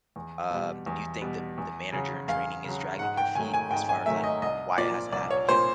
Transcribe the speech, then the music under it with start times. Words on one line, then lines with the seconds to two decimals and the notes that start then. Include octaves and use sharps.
um, do you think the the manager-in-training is dragging their feet as far as, like, why it hasn't happened yet?
0.16 E2
0.50 B2 G3
0.86 E2
1.22 B2 G3
1.58 E2
1.93 C#3 F#3
2.28 E2 F5
2.64 C#3 F#3
2.99 G#2 F#5
3.17 G5
3.35 D#3 F#3 A3 G#5
3.54 G#5
3.70 G#2 G5
3.89 G#5
4.06 D#3 F#3 A3 E5
4.24 D#5
4.42 C2 D#5
4.78 A#2 F3 A#3 D5
5.12 C2 D5
5.31 C#5
5.48 A#2 F3 A#3 C5